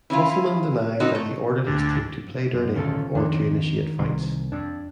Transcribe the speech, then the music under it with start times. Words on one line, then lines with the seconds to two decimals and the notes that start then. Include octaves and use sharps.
Musselman denied that he ordered his team to play dirty or to initiate fights.
0.10 E3 C#4 E4 F4
1.00 F3 C4 C#4 D#4 F#4
1.15 A3
1.67 D2
2.54 F#2
2.76 D1 B2 D#3 C#4 F4 A4
3.15 F2 D#3 D4
3.99 C2
4.52 F2 D4